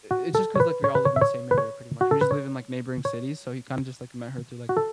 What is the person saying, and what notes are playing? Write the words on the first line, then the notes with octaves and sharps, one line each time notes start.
i it's just 'cause, like, all live in the same area pretty much, we just live in, like, neighboring cities, so he kind of just like met her through, like,
F#4
A4
C#5
B4
C#5
B4
C#5
E5
C#5
B4
C#5
F#4
A4
B4
C#5
C#5
F#4
A4